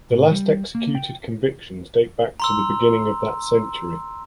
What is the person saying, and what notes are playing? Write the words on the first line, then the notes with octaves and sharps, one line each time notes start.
The last executed convictions date back to the beginning of that century.
A2
G3
A#3
G5
A#5 C6 E6